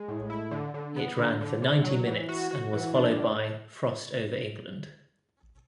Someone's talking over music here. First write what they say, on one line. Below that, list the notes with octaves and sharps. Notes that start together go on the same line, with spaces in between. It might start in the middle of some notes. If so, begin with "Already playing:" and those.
It ran for ninety minutes and was followed by "Frost over England".
Already playing: G#3
A2
E4
D3
D3
B3
D3
D3
D3
F#3
E3
F#4
F#4
E3
D4
A2